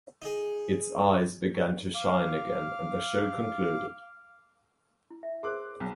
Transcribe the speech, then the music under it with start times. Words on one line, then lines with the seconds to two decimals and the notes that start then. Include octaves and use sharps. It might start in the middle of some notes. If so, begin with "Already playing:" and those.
Its eyes began to shine again and the show concluded.
0.22 D#4 G#4
1.95 F5 D6 F6
5.10 E4
5.23 E5
5.43 G#4 A#4 C5 C6 D6 F#6
5.80 B1